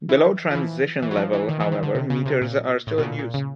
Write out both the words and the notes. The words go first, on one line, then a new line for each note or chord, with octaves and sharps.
Below transition level, however, meters are still in use.
E3
F3
E3
E3
F#3
F3
E3
D#3
E3
D#3
D3
C3
C#3
C3
A#2
A2
B2
A#2
A#2
C#3